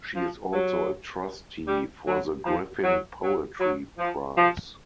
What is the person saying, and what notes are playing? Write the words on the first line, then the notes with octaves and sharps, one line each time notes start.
She is also a trustee for the Griffin Poetry Prize.
F3
F#3
G3
F#3
F3
F#3
F#3
F#3
F3
F3